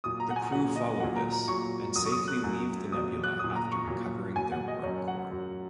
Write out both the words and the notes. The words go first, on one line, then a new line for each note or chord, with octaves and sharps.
The crew follow this, and safely leave the nebula after recovering their warp core.
A#2 F#3 D#6
A#5
F#5
G#5
A#2 F#3 F#5
D#5
A#2 F#3 F#5
A#5
A#5
A#2 F#3 C#6
F#2 F#3 D#6
C#6
D#6
F#6
F#2 F#3
A#2 F#3 D#6
F#6
A#2 F#3 D#6
A#5
C#6
A#2 F#3
A#2 F#3 G#5
F#5
D#5
F#2 F#3 C#5
F#5
F#2 F#3